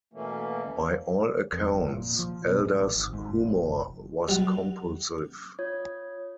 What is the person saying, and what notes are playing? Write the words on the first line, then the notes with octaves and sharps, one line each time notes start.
By all accounts, Elder's humor was compulsive.
B2 E3 A3 A#3 C#4
F2
G1
A#2
F3
B2
G#2
A1
G#1
G#2
F#1
A#1
F1
F#3 G3
F4 C#5 D#6 G#6